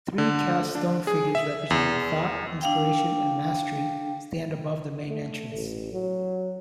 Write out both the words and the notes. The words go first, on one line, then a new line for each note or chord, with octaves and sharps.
Three cast stone figures representing "Thought," "Inspiration," and "Mastery" stand above the main entrance.
D3
D4
G#4
E5
E2
D4 F5 G5
A3
A1
F#3